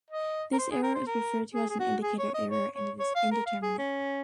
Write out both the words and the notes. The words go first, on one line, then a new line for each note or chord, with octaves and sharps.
This error is referred to as an indicator error, and it is indeterminate.
D#5
A#4
C5
G#4
A#4
C5
A#4
G#4
G#4
F#4
G#4
C#5
D#5
C#5
C#5
C#5
F5
A#4
F5
G#4
C#4